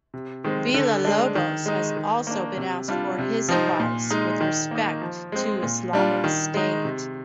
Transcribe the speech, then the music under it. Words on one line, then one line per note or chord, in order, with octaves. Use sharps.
Villalobos has also been asked for his advice with respect to Islamic State.
C3
D#3 G#3 C4
D3
G#3 D4
D#3
G#3 D#4
D#3
A#3 D4
C3
G3 D4 F4
C3
F3 C4 D#4
A#2
G#3 D#4
D#3
A#3 D#4
F3
G#3 C4
A#2
G3 D4 F4
D#3
G#3 D#4
C3